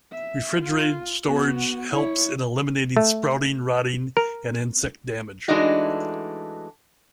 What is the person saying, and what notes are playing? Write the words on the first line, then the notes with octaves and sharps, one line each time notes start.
Refrigerated storage helps in eliminating sprouting, rotting and insect damage.
E5
F4
B3 F#4
E4 C#5
A3
A#4
E3 G#3 A3 D4 D#4 F#4